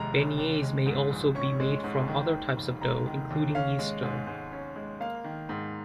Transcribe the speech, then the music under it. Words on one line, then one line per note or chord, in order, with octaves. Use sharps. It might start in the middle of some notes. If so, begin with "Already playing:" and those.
Beignets may also be made from other types of dough, including yeast dough.
Already playing: F1 D#2 G#3 A#5
C#3
D#2
G#3
G#2
A#1
C#4 C#6
G#3
G#2
D#3
D#2
F1
G#3 A#5
D#3
D#2
C#4 F5
G#3
G#2
G#2
C#4
G#3
A#3 F5
D#3
G#2